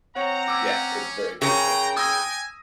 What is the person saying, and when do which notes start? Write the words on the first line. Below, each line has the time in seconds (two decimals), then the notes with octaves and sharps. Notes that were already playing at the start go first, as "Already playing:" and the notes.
Yeah, it's very beautiful.
0.16 C4 C#5 F#5 A#5
0.48 C#4 D6 E6
1.42 C#3 G#4 A#4 C#5 G5 A#5
1.96 G#5 D#6 E6 A#6